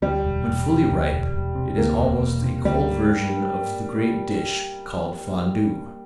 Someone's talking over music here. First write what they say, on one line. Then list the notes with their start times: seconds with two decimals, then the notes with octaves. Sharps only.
When fully ripe it is almost a cold version of the great dish called Fondue.
0.02 D2 G3
0.24 E1
0.46 E1
0.68 C3
0.90 D2
1.12 E1
1.34 E1
1.55 C3
1.77 D2 A#3
1.99 E1
2.21 E1
2.43 C3
2.65 D2 G3